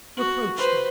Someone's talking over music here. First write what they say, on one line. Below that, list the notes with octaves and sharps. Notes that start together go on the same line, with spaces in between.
Reproach me.
F#4
B4 C5